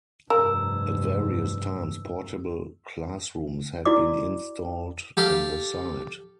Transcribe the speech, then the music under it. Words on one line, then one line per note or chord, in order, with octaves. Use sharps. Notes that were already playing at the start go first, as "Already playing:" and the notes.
At various times portable classrooms had been installed on the site.
F1 G2 A#4 E6
E4 F#4 D5 D6
G4 A4 F5